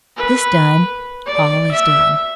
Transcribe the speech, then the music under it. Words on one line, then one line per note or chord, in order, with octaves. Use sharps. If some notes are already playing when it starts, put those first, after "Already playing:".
This done, all is done.
B4
D5
E5